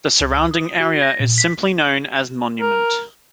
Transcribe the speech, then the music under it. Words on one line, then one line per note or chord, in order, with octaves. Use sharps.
The surrounding area is simply known as Monument.
C#2
D#6
F#4
A#6
A#2
B6
A#4